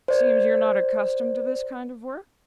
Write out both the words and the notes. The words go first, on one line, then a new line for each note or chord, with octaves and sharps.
Seems you're not accustomed to this kind of work?'
C5 D5